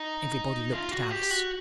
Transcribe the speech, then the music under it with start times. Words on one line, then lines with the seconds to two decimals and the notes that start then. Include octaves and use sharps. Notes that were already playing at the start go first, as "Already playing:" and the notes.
Everybody looked at Alice.
Already playing: D#4
0.72 F4
0.91 F#4
1.11 G4
1.31 F#4